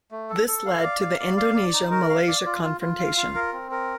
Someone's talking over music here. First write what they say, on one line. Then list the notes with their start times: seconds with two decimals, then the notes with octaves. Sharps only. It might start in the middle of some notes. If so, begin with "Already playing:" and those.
This led to the Indonesia-Malaysia confrontation.
0.11 A3
0.30 A4
0.48 A4
0.66 F5
0.84 D5
1.01 F5
1.20 D5
1.37 F5
1.55 D5
1.73 D#4
1.91 A#4
2.09 F5
2.28 D5
2.46 F4
2.63 F4
2.81 F4
2.99 F5
3.17 F4
3.35 A#4
3.53 C4
3.71 A#4